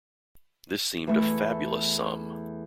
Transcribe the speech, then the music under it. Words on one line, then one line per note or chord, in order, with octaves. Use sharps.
This seemed a fabulous sum.
E2 A3 E4